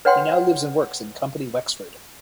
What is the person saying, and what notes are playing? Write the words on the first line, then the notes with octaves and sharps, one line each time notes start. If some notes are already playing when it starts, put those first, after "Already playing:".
He now lives and works in Company Wexford.
B4 C#5 F#5 G5 C6